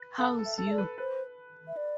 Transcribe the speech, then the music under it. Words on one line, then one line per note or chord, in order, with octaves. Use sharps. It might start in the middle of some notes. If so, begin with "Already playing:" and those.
Hows you?
Already playing: B4
A4 F5
A4
E5
A4
E5
D5
B4
B4 C5
E5
D5